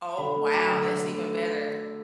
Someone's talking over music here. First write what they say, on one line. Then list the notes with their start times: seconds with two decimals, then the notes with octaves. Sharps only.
Oh, wow. That's even better.
0.18 D3 B5
0.36 A3
0.54 F#3 D6
0.71 D3 E6
0.90 D3
1.07 A3